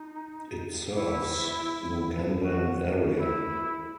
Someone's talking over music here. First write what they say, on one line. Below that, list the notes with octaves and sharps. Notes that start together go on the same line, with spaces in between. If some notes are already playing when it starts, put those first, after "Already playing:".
It serves Nauganwan area.
Already playing: D#4
E4
F#4
E4